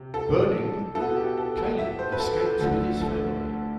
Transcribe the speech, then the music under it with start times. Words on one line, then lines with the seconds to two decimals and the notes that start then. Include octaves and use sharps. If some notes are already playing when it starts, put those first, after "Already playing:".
Burning, Caleb escapes with his family.
Already playing: C3
0.14 A4
0.95 B2 B3 E4 A4
1.17 G4
1.37 A4
1.58 A4
1.78 E5
1.99 C5
2.12 B4
2.20 A4
2.40 A4
2.60 D2 D3 F3 A4
3.02 A4